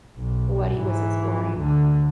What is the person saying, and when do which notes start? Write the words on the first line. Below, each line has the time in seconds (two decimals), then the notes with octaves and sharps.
what he was exploring
0.17 B1
0.75 G#2 E3
1.58 D2 D3